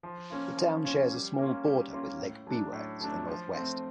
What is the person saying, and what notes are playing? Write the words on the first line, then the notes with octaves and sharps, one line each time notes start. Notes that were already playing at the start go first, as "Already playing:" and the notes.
The town shares a small border with Lake Biwa to the northwest.
F3
A#3 C#4 F4
F3
A#3 C#4 F4
G3
A#3 C#4 F4
G3
A#3 C#4 F4
A2
F#3 A3 D4
A2
F#3 A3 D4
F3
A3 C4